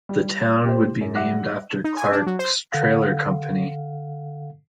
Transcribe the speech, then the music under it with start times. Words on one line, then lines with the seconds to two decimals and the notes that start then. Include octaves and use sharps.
The town would be named after Clark's trailer company.
0.09 G3
0.65 G4 C5
1.01 F#2
1.15 G3 E5 F#5 D6 F#6 A#6
1.84 D#4
1.97 G#5
2.12 D4
2.26 F#3
2.39 C5
2.72 D3 A4 F5 F#5